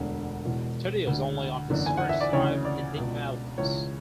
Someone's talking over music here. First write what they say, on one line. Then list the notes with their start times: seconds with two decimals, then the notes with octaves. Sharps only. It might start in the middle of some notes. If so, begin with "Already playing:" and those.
Studios only on his first five Enigma albums.
Already playing: E1 D2 D3
0.45 E1 E2 B2
1.07 D2 D3
1.70 F#1 E2 D3
1.86 G#5
1.97 F#5
2.09 E5
2.21 D5
2.32 D2 C#3 E3 C#5
2.65 D5
2.96 C#2 B2
3.58 C#2 C#3 E3 C#5